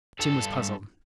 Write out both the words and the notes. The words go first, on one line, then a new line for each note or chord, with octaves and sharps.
Tim was puzzled.
G2 A4